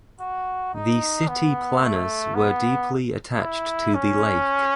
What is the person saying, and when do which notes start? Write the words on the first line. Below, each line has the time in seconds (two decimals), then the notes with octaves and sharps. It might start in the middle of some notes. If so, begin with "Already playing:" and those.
The city planners were deeply attached to the lake.
0.20 F#4
0.74 D#4
1.28 B3
1.81 A3
2.35 B3
3.41 E4
3.95 C#4